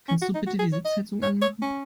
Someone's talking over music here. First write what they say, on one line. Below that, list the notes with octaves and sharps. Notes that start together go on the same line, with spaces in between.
Kannst du bitte die Sitzheizung anmachen?
C#4
F#4
D#4
F#4
G#4
C#5
D#5
C#5
C#5
C#4